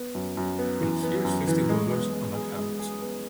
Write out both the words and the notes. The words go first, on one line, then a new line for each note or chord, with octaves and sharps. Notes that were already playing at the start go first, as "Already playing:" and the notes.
And here's fifty dollars on account.
Already playing: B3
F#2
F#2
B3
E3
B3
F#2
E3
G#3
B3
G#3
G#4
G#3
G#4
B3